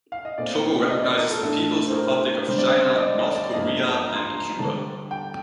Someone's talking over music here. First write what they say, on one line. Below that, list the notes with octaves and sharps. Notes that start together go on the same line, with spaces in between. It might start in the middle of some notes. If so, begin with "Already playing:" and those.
Togo recognizes the People's Republic of China, North Korea, and Cuba.
F5
D#5
A#2 A3 C4 D5
D5
D#5
D5
A#4
A4
A2 A3 D4 A4
C5
A#4
D3 G3 C4 C5
D5
C5
D#5
D5
D#5
D5
G2 F3 A#3 D4 D#5
A5
A#5
C6
A#5
D3 G3 D4 A5
G5